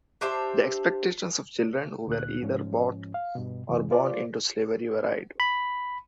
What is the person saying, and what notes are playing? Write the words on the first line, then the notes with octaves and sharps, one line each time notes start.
The expectations of children who were either bought or born into slavery varied.
D4 G4 C5 E5
D2 A#2 F#6
G#2 F3 C#4
F5
G2 B2
F#2 C3 E3
F4 C5 D5
B5